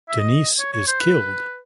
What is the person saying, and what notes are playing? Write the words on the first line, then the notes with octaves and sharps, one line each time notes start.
Denise is killed.
E5
D#5
C#5
C#5
C5
B4